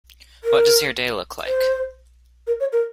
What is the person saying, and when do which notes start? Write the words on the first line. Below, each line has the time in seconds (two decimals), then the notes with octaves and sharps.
What does your day look like?
0.44 A#4
1.46 C5
2.47 A#4
2.60 C#5
2.73 A#4